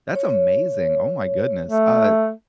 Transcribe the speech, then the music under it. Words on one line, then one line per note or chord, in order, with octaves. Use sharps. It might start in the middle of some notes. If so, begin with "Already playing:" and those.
That's amazing, oh my goodness. Uh,
C#5
A3